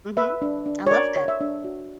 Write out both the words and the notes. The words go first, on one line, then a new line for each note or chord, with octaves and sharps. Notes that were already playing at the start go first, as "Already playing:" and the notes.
Mhm, I love that.
B4 E5
D4
D4
C#5
A#4 D5
C#5
E5
D4
F#4